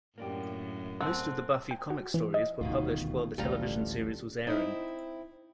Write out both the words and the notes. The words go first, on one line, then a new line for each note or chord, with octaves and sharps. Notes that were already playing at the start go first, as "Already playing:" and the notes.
Most of the Buffy comic stories were published while the television series was airing.
F#2 A2 A#3 D4 G4
C4 A4 C5 F#5 A5 C6 F#6
G5
F#4
E3
D#5
D#1 D2 B2 D#3 F4
A1 D2 G3 F4 A4 A#5
C4 D#4 E4